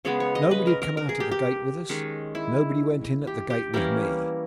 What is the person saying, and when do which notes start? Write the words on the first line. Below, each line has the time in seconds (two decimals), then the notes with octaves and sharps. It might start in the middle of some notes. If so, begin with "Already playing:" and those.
Nobody had come out at the gate with us, nobody went in at the gate with me.
0.05 C#3 G#3 B3 C#5
0.20 C#5
0.35 D#5
0.51 B4
0.67 A#4
0.82 A#4
0.97 A#4
1.09 G#4
1.20 G4
1.31 G4
1.89 D#3 G#3 C#4
2.35 E4
3.27 G4
3.50 G4
3.74 E3 G3 A#3 C#4 A#4